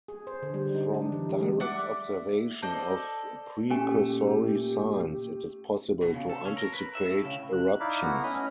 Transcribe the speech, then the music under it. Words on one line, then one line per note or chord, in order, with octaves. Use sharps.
From direct observation of precursory signs, it is possible to anticipate eruptions.
G#4
C5
D3
G3
D#4
D4
E3
G3
G#3
D5 E5 F#5 D6
A4 C5 D5 D#5
A#2 A3 C#4 G4 G#5
B2
C#3
A4
C#4
A#4
B4
E5
A2
C#3
F#6
D#4 E4 D5 F5 B5
A3 B3 E4 F#5 A#5
C#4 E4 D#5 B5 D#6 F6